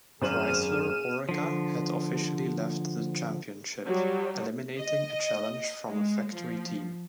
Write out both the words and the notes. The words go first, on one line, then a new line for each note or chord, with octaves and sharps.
Chrysler-Oreca had officially left the championship, eliminating a challenge from a factory team.
G#1 F#2 G#4 C5 F6 D#7 E7 F#7
D3 F3
F#3 G3
D#5
G#3
F3